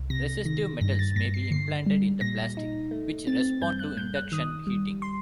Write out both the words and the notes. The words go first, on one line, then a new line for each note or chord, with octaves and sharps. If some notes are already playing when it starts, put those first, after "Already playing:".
Resistive metals may be implanted in the plastic, which respond to induction heating.
Already playing: C2
C3 A#6
D#3 A#6
G2 A#6
A6
G2 A#6
C7
D3 C7
G3
A#2 A#6
D#4
A3
C4 A6
G2 G6
F#6
G2 G6
F#6
D#3 D#6
G3
C6